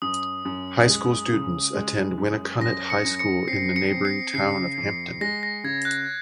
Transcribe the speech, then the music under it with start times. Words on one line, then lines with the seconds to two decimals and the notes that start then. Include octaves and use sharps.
High school students attend Winnacunnet High School in the neighboring town of Hampton.
0.02 F#2 D#6
0.45 F#2
0.88 G#3
1.32 C#3
1.74 G#3
2.18 F#2
2.60 F#2 A#6
2.90 C#7
3.05 F#2
3.19 C#7
3.47 C4 C7
3.76 C#7
3.90 C4
4.05 C7
4.34 C#3 C7
4.78 F2
5.21 G#3 A#6
5.43 A#6
5.64 C#3 G#6
5.85 F#6